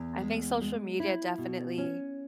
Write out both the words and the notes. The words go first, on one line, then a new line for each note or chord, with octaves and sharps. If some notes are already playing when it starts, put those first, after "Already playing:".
I think social media definitely
Already playing: E2
G#3
G#3
E4
B2
C#4